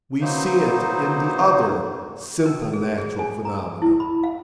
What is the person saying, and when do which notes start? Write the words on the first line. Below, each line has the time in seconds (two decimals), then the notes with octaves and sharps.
We see it in the other simple natural phenomena.
0.21 E3 F#3 A#3 D#4 C5
2.46 A#4
2.62 A4
2.73 G#4
2.98 G#4
3.19 G#5
3.45 A#5
3.82 E4
4.00 B5
4.23 F5